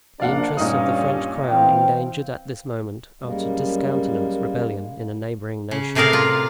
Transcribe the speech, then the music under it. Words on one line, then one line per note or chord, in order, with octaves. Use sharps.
The interests of the French crown, endangered at this moment, are to discountenance rebellion in a neighboring nation.
A#1 A#2 D4 D5 F5 F#5
G2 A#2 C#4 D#4 F5 D#6
E3 C4 F5 G5
F#2 G3 G#3 A#3
C#3
A2 C3 G#4 A#4 D5 F5
F4